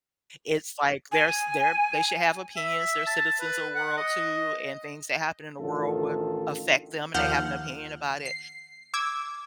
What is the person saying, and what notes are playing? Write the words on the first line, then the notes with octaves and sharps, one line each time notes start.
it's like there's there they should have opinions, they're citizens of world too, and things that happen in the world would affect them, and they have an opinion about it,
G#5
E5
A5
B4
F#5
D#5
A1 D2 D#3 F4 A4
D#2 F3 F#5 F6 G6
C7
D6 E6 G#6